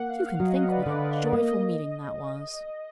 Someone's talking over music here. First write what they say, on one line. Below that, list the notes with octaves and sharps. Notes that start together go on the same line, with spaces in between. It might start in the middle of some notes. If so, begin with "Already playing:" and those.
You can think what a joyful meeting that was!
Already playing: A#3 F#5
F5
F#3 D#5
B4
D5
D3
D5
A#3 D#5